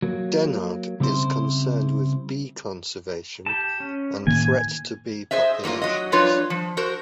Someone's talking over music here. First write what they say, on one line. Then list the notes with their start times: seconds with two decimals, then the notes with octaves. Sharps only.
Dennard is concerned with bee conservation and threats to bee populations.
0.02 F#3 A#3
1.00 C#3 G3 C4 E4 C5
3.46 G4 A5
3.80 C#4
4.27 A2 D#3 A#3 G#5
5.31 G#4 C5 D#5 E5
5.63 A2 A#3 E4 F4
5.82 F#3 D#5
6.12 F3 G3 D4 F4 B4 C#5
6.50 F3
6.77 F#4 A#4 C5